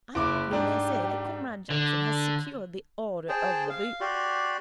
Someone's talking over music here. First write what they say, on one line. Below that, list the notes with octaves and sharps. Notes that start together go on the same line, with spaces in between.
I think we may say that Comrade Jackson has secured the Order of the Boot.'
F#1 E4 D6
G#2 D4 G4
D3
G#4 C5 G5 A5
F5
F#4 G4 D5 C6